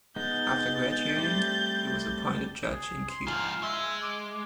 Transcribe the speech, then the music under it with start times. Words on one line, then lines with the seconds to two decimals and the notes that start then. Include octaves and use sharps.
After graduating, he was appointed judge in Kiel.
0.16 G#3 B3 D#4 G6 A6
1.17 G3 A3 C4
2.71 G#4
3.09 C6
3.27 G#2 F3 F4
3.63 G#3 E5
4.03 D6